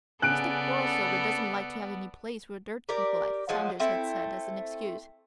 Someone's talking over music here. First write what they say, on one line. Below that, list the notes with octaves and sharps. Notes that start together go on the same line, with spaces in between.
"Mr. Borlsover doesn't like to have any place where dirt can collect," Saunders had said as an excuse.
C#3 B3 A4 D5 G#5 F#6 D7
G4 A#4 D5
F3 F#3 G#3
A3 C4 E4